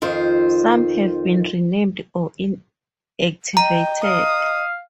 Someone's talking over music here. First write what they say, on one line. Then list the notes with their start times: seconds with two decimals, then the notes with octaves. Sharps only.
Some have been renamed or inactivated.
0.02 F2 D#3 F4 C5
3.57 D#5 G5 A#5
4.04 F5 D#6